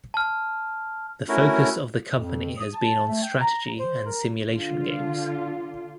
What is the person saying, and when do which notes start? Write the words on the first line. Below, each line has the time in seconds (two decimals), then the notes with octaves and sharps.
The focus of the company has been on strategy and simulation games.
0.14 A5 F6
1.29 A3 C#4 E4 F#4 A#4
2.18 F2
2.58 D#6
2.75 A5
3.06 A3
3.23 G5
3.41 A#5
3.79 C5
4.06 A#4
4.49 D3 F4